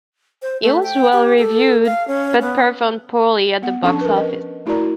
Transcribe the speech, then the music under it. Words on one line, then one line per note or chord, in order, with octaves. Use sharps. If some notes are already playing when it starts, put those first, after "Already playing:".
It was well reviewed but performed poorly at the box office.
C5
A3
G5
G4
A4
F5
C#4
B3
B3 F#5
F3 C#4 D4 A4 A5 C#6
A#4 B4
D#5
A3 E4 F#4 A#4 D5 A#5